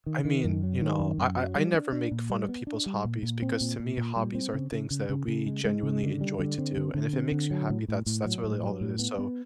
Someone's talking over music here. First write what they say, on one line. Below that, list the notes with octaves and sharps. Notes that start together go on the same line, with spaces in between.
I mean, you know, I I I never make fun of people's hobbies because to me, hobbies are things that we genuinely enjoy to do and if it makes you happy that's that's really all it is so,
D#3
D#3
F#2
F#3
D#3
F#2
F#2
F#3
G3
D4
D4
A#2
G3
B3
D4
G3
A#2
A#2
C4
A#2
A#2
A#2
G3
C4
C#3
C#3
C#3
C#3
C#3
G#3
G#3
C#3
D3
G3
D3
C4
D3
D3
C4
D3
F#3
A2
A2
A2
F#3
A2
F#3
A2
B3
B3